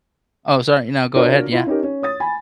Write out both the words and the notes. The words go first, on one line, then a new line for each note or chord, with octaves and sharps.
Oh, sorry. No, go ahead, yeah.
D4 F4 F#4 A#4 C#5 D5
E4 F4
C#4 D#4 G4 A#4
C#4
C#5 D#6 A6
G#5 B5